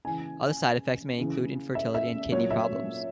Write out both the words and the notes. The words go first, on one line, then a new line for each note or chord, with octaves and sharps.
Other side effects may include infertility and kidney problems.
C#3 E3 G#5
C#3 E3
E5
E5
A#2 F#3 C#5
E5